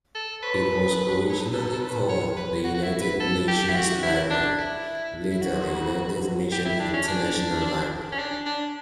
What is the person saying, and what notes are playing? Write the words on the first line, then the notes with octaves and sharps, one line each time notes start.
It was originally called the United Nations Library, later the United Nations International Library.
A4
B4
C#5
B4
A4
A4
B4
C#5
B4
F#4
F#4
E4
B4
A4
G4
E4
F#4
E4
D4
E4
E4
F#4
G4
E4
D4
C#4
D4
C#4
D4
D4